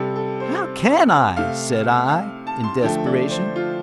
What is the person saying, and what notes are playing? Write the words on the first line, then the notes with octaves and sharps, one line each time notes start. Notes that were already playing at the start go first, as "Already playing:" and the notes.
"How can I?" said I, in desperation.
Already playing: C3 G3 A4
A4
C5
C3 A3 F5
F5
A5
C6
D3 F3 A3 G5
D5
C5
F4